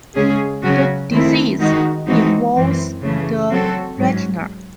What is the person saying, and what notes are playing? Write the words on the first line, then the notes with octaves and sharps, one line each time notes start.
The disease involves the retina.
C#3 G#3 C#4 G#4
C#3 F#3 C#4 F#4
D#3 A3 C4 E4
D#3 G#3 D#4 F#4
E3 G#3 C4 D#4 F#4
F#2 E3 C4
C#3 E3 A3
F#3 C4 F#4 A4
G#2 F#3 C#4